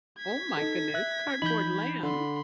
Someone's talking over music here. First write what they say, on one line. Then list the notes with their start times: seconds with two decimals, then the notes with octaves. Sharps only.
Oh my goodness, Cardboard Lamb?
0.18 G#6 B6
0.57 D#4 A4
0.94 E5 F#6
1.42 E3 D#4 B5 G6
2.03 D3 B5 C6